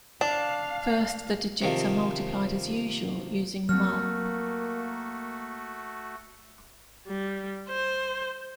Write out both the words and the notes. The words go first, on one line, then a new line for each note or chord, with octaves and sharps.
First the digits are multiplied as usual using mul.
D4 F5
C3 D#3 F3
F#3 A3 A#3 C4 F#4 F6
G3
C5